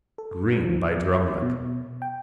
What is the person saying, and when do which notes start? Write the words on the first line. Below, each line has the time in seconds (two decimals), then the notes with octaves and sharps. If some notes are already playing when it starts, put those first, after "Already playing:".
Green by Drumleck.
0.18 A4
0.65 F3
1.12 E5
1.42 B2
2.02 G5